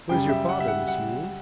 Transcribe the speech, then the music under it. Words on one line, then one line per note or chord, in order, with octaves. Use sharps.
'Where's your father, Miss Yule?'
F#2 C#3 G3 G5
E5
F#5
E5
F#5
F#5